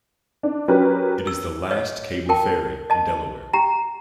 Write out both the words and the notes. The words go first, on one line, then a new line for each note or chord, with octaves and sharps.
It is the last cable ferry in Delaware.
D4
F#3 C#4 G4 A#4 B4
E6
C#5 D#5
A#4 G5 A5
D#5 A5
G4 G5 A#5